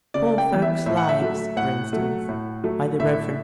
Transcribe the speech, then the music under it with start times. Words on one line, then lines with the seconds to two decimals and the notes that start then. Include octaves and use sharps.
Poor Folks' Lives, for instance, by the Rev.
0.14 C#3 D5
0.38 G5
0.51 E3 B3
0.62 E5
0.86 A2 E5
0.97 F#5
1.09 E5
1.22 F#3 A3
1.56 A2 F#5
1.93 F#3 A3
2.29 A2
2.64 F#3 A3
3.00 A2 E5